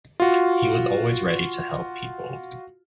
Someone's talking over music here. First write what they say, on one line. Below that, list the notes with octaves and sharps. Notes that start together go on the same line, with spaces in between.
He was always ready to help people.
F4 F#4